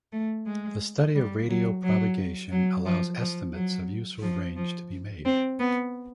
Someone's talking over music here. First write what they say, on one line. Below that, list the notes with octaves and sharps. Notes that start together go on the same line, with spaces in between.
The study of radio propagation allows estimates of useful range to be made.
A3
G#3
G3
F#3
F#3
F#3
F3
F3
F#3
F3
F3
C4
B3